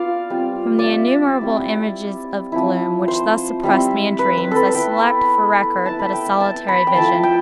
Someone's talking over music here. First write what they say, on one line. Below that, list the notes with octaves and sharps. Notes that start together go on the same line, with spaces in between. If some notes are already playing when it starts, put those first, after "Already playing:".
From the innumerable images of gloom which thus oppressed me in dreams, I select for record but a solitary vision.
Already playing: B3 F4 D5 F5
G3 C4 F4
D5
E5
G3 C4 E4
F3 C4 E4
C5
G3 C4 E4
B4
B4
A4 B4
B3 E4 G5
A3 E4 A5
B5
G5
A5
A5
B5
G5
F3 A3 E4 A5
G5